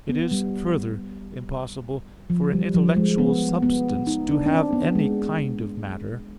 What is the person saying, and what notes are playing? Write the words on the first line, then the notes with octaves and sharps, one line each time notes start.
It is, further, impossible for an intellectual substance to have any kind of matter.
B3
G3
F3
G3
F3
G#3
B3
B3
D#4
D4
D4
C4
B3
G#3